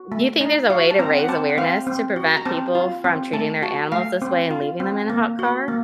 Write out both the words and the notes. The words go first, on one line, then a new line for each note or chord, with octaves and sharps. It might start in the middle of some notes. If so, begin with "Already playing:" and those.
Do you think there's a way to raise awareness to prevent people from treating their animals this way and leaving them in a hot car?
Already playing: F#4
A3
D#4
F#4 F5
A5
C4 A#5
F#5
C4 A5
F#5
C4 F5
C4
F#4
A#5
C4 A5
F4
C4
A3 A5
F#4 A5
A3 F5
C4
F4
C4
A#3
F#4
A#3